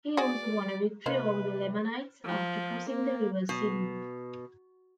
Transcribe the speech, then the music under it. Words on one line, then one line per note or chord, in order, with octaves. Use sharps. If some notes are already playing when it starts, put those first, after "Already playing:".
He also won a victory over the Lamanites after crossing the river Sidon.
F#4 G#4 D5
C3 A#3 D#4 B4 C5 D#5
F3
A#3
B2